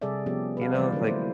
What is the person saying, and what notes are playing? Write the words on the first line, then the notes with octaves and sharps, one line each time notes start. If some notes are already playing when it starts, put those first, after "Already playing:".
you know, like
C3 G3 G#4 A4 D5 E5
F3 B3 C#4 G4 A4
B4 F5
E3 G3 C5 D5
D3 F#3 C#4 A#4
A3 A#3 E4 C5